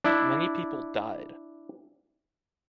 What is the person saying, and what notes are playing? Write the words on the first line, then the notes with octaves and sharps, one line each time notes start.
Many people died.
D4 E4